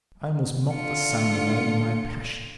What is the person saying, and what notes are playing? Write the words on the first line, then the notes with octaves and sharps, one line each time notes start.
I almost mocked the sound aloud in my passion.
D3 F4 C#7